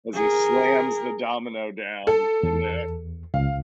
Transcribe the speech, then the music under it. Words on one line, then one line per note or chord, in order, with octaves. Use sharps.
as he slams the domino down in there.
G#4 A#4
A4
E2
C#2 F5